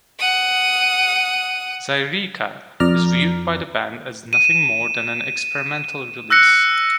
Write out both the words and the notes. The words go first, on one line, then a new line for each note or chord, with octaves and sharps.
"Zaireeka" is viewed by the band as nothing more than an experimental release.
F#5 D#6
F2 D5 A#5 F6
D#7
E7
E6 F#6 A#6 C#7